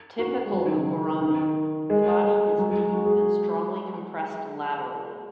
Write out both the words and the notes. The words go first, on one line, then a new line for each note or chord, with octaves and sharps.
Typical of gourami, the body is deep and strongly compressed laterally.
F#4
C#4
G#3
F#3
D#3
C#3
D#3
G#3
G#3
F#3
G#3
F#4
G#4